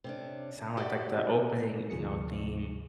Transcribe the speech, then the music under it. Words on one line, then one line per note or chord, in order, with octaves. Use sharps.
sound like? Like, the opening, you know, theme
C3 C#4 D4
F#4 G4 D5 E5
D2 C3 F3 G#4 C#7